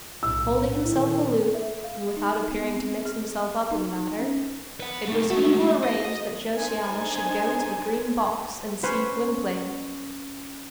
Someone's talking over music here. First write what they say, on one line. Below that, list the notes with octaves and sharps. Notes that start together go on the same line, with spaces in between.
Holding himself aloof, and without appearing to mix himself up in the matter, it was he who arranged that Josiana should go to the Green Box and see Gwynplaine.
B1 A2 E6
A#2 D3 D#3 E4
E5
F5
D#4
B3
C4
G#4
D#4
C#4
B4 F#5
A3 D#4
G#3 A3 F#4
D#5
D4 D#4 C5 G#5
C#4 B4 C5